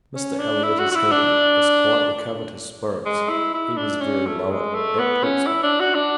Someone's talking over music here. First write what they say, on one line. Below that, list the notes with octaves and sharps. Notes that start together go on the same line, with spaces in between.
Mr. Elliot is happy, has quite recovered his spirits; he was very low, at Portsmouth.
C#4
D4
E4
F#4
F#4
E4
D4
G#3
E4
E4
D4
C#4
A3
G#3
A3
B3
C#4
E4
D4
F#4
D4